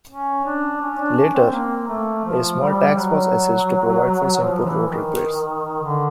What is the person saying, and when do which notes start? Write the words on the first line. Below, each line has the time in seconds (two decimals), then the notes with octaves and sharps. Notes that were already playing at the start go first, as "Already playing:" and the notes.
Later, a small tax was assessed to provide for simple road repairs.
0.09 C#4
0.44 D4
0.81 C#4
0.99 D4
1.17 C#4
1.34 C4
1.53 A#3
1.88 A3
2.24 F3
2.60 G3
2.97 F#3
4.40 F3
4.63 E3
4.88 D#3
5.83 D3